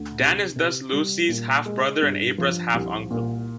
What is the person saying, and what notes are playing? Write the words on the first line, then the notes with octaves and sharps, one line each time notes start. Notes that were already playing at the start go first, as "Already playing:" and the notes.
Dan is thus Lucy's half-brother and Abra's half-uncle.
Already playing: D2
C3
C3
G3
A#2
G#3
G2
F3
C2
A#2